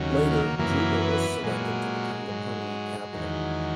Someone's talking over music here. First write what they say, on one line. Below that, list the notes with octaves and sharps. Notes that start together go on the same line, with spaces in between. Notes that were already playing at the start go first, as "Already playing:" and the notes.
Later, Juba was selected to become the permanent capital.
Already playing: D#2 C#3 F#3
A#3
F#2 E3 A#3
B3
A#2 F#3 G#3
G#2 F#3
E2 D#3 F#3